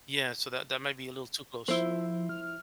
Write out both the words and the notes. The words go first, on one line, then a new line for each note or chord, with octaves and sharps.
Yeah. So, that that might be a little too close.
F3 E4 C5
F6